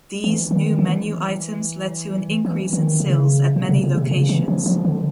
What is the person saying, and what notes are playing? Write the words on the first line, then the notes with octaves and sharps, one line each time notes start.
These new menu items led to an increase in sales at many locations.
E3
D#3
E3
E3
D#3
C#3
C3
C3
C#3
C3
C#3
E3
F3
F3
D3